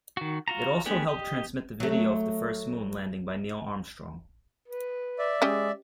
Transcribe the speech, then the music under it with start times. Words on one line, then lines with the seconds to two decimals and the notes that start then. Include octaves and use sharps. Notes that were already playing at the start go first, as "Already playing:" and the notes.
It also helped transmit the video of the first Moon landing by Neil Armstrong.
0.17 D#3 F#4
0.48 F4 F#4 A#5
0.85 A3 B3 D4 G4 G#4
1.08 G4 D#5
1.80 F#3 A3
4.68 B4
5.19 D5 E5
5.42 G#3 C#4 G4 D#5